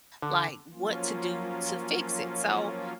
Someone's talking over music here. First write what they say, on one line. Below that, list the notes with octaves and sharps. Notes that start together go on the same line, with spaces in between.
like, what to do to fix it. So,
D3
F3 F#3 A#3 C#4 F4